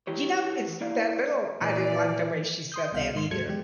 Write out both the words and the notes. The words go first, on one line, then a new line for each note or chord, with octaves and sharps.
You know? It's that little I didn't like the way she said that either.
E3 G4 C#5
A#3 E4 D5 F5
A#2 E3 D5
C6 D#6 G6
C2 B2 F5
G#2 D#3 C6
D#2 G#2 F#3 A4 G#6 C#7
E2 G#3 G4